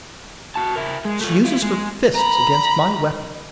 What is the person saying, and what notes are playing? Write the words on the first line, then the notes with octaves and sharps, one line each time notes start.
She uses her fists against my weapon.
F#4 A5
E4 A#4
G#3
A3 F4
E4 F4
G#3
A#5 B5